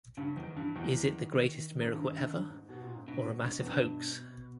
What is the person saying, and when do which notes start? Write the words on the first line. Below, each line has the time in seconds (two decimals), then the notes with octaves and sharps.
Is it the greatest miracle ever or a massive hoax?
0.17 G2 C#3
0.36 E2 D#3
0.57 G2 E3
0.76 E2 D#3
1.81 G#2
1.92 G2
2.12 G2
2.31 G2
2.50 G#2
2.69 B2
2.82 A#2
2.95 G#2
3.08 G2 B2
3.37 G2
3.59 E2
3.66 G2